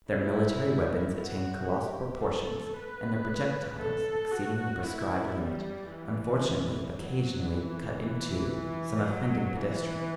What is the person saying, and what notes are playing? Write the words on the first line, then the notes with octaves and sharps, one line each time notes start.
Their military weapons attained colossal proportions, and their projectiles, exceeding the prescribed limits, unfortunately occasionally cut in two some unoffending pedestrians.
E4
F#4
G4
A4
B4
A4
F#4
E4
G3
E3
F#3
E3
E3
E3
F#3
E3